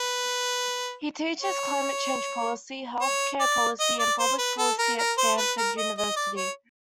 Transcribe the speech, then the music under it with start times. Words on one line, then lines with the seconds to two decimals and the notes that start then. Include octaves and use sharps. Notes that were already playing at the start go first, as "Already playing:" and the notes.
He teaches climate change policy, health care policy, and public policy at Stanford University.
Already playing: B4
1.42 C#5
3.01 C#5
3.40 D5
3.80 D#5
3.99 D5
4.19 C5
4.39 B4
4.59 A4
4.79 A#4
4.99 A#4
5.18 C5
5.38 B4
5.58 A#4
5.78 D#5
5.98 D#5
6.17 D5
6.36 C#5